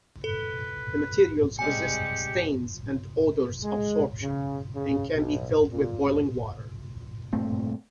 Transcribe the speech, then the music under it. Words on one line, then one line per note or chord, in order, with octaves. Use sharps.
The materials resist stains and odors absorption, and can be filled with boiling water.
A4 B4
C3 G3 G#3 G4 G#5 C#7
G#3
C#3
C#3
B1
A#2
G2 A#2 A3 C4